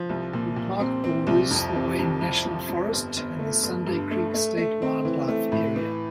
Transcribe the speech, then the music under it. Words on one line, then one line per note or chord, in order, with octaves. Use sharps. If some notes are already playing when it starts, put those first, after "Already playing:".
The park borders the Wayne National Forest and the Sunday Creek State Wildlife Area.
Already playing: F3
C2
A#2
A#2
C4
C4
C2
F2
C3
F2
F2
F3
F2
G1
G1
A3
G1
G2
A3
A3
A3
C4
E3
A3
A2
E3